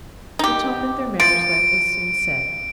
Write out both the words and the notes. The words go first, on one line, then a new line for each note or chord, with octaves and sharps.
The tone of their marriage life was soon set.
D#4 G4
F3 D7